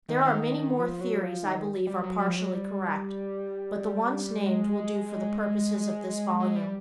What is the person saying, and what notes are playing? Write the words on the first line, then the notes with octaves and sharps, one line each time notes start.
There are many more theories I believe are partially correct, but the ones named will do for the purposes of this volume.
D#3
D#3
D#3
D#3
F3
F#3
F3
D#3
G3
F#3
F#3
F3
F#3
G3
G#3
G#3
G3